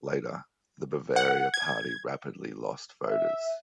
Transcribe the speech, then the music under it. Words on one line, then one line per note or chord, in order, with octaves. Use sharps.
Later, the Bavaria Party rapidly lost voters.
F#5
G#6
E5